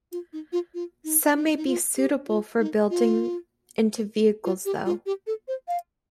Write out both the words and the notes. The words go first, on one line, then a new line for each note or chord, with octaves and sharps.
Some may be suitable for building into vehicles though.
F4
D#4
F4
F4
D#4
D#4
D#4
F4
G4
F4
D#4
F4
F4
G4
F4
G4
A4
C5
F5